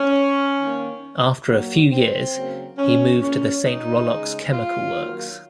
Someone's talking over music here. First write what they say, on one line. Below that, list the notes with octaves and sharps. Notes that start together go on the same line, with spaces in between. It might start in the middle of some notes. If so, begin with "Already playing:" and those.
After a few years he moved to the Saint Rollox chemical works.
Already playing: C#4
D#3 A#3
A#2 F#3 A#3
C4
C#3 F#3 A#3
C#4
A#2 G#3 C#4
D#4
C#3 G#3
F4
D#3 F#3 A#3